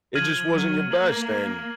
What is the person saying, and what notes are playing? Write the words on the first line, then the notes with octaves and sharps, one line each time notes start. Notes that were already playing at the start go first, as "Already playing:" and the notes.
it just wasn't your best. And
F3 F6 G#6 D#7 F#7
F#3
A#3 G#6 D#7 F#7